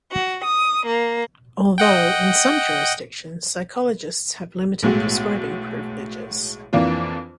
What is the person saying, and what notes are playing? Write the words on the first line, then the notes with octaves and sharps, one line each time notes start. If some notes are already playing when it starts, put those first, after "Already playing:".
Although, in some jurisdictions, psychologists have limited prescribing privileges.
F#4
D#6
A#3
D#5 F#5 G5
B1 A2 G#3 F#4
F2 E3 A#3 D4 F4